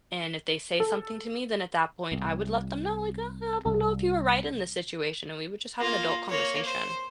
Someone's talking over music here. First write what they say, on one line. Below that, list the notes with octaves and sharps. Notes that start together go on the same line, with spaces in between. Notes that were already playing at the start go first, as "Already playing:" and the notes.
and if they say something to me, then at that point, I would let them know, like, "Uh, I don't know if you were right in this situation," and we would just have an adult conversation.
A4
C2
C2
A#3 F4
A#3 C#5
C5